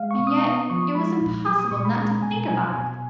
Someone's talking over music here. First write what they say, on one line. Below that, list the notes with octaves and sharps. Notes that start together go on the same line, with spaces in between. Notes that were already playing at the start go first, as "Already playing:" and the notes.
And yet it was impossible not to think about it.
Already playing: G#3 F5
C#6
B2
D#6
B3 D#6
F3 C#6
G#3 B5
A#2
F#3 D#6
D#6
A#2 C#6
B5
G#3 A#5
B2 G#5
F#3 G#5
B2 G#5